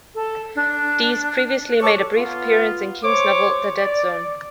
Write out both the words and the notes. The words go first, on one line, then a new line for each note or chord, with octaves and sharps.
Dees previously made a brief appearance in King's novel "The Dead Zone".
A4
D4
A4 C#5 C#6 D6
B3 F4
C5 C#5 D6
D5